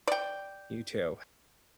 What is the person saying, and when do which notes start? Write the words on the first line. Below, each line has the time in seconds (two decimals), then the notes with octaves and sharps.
You too.
0.07 D5 G5